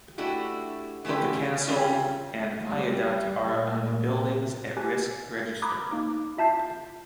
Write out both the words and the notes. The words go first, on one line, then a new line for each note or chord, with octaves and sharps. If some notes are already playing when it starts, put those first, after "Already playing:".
Both the castle and viaduct are on the Buildings at Risk Register.
A3 D4 E4 F#4 G4
E3 A3 B3 C#4 G4
G3 C4 C#4 F4
G3
A#2
G4 G#5 F#6
A#5 B5 D6 D#6 F#6 G#6
A#3 D#4 D6
E4 F4 E5 A5 G6 C7